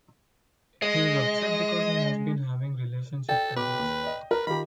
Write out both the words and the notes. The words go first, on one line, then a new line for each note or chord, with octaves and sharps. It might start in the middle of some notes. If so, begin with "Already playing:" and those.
He is upset because he has been having relationship troubles.
G#3 D#5
A4 D5 G5
B2 B4 D6
D#2
D5 D#5
A#4 B4
D#3 F4 G4 B5